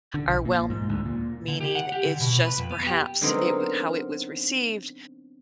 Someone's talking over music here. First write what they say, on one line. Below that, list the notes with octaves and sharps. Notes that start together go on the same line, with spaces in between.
are well-meaning, it's, just, perhaps it w how it was received,
D3
B1
A#2
G#2
D2
A#2
D3
G4
F#5
G4
D3
B2
B4
F2
B3
G4
D3 F#3 B3 C4 D#4 A#4